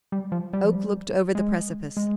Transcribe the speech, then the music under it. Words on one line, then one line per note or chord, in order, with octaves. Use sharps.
Oak looked over the precipice.
G3
F3
G3
F3
G3
G#3
G#3